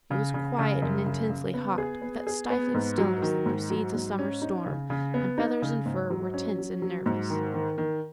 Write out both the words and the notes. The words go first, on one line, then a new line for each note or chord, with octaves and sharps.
It was quiet and intensely hot, with that stifling stillness that precedes a summer storm, and feathers and fur were tense and nervous.
C#3
C#3
C#3
F#2
C#3
C#3
B3
G#4
B3
G#4
B3
G#2
F#3
D#3
G#2
F#3
G#2
C#4
D#4
C#3
C#3
B3
D#4
C#3
G#2
F#3
C#4
F#3
F#3
G#2
D#3
D#3
D#3